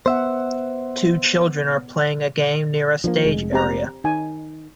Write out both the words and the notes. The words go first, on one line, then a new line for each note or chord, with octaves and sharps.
Two children are playing a game near a stage area.
B3 C5 E5 F#5
F3 G3 A#3 D4
F1 G#3
C4 G4 A#5
D#3 D#4 G#5